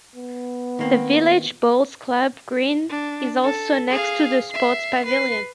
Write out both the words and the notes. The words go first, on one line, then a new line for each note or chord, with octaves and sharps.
The village bowls club green is also next to the sports pavilion.
B3
D#3 A#3 C4
D4
A4
G#4 F5
E5 C7
B4 C7